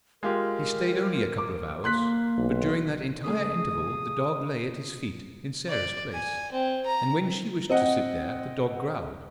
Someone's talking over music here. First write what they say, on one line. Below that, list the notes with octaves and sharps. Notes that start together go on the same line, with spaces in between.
He stayed only a couple of hours; but during that entire interval the dog lay at his feet in Sarah's place, and when she wished to sit there the dog growled.
G#3 F4 G4 A#4
D6
A#3 C6 F#6 B6
B1
C#3 A3 G#4 D#6
D5
G#5
C4
A#5
C4 D#5 F#5